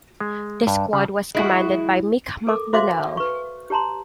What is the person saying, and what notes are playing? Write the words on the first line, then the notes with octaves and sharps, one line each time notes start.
The Squad was commanded by Mick McDonnell.
G#3
G2
C#3
E3 G#3 E4 F#4
A4 A#4 D6
F#4 C5 E5 F5 C6 D6
B4 C#6
G4 C#5 A5 A#5 C6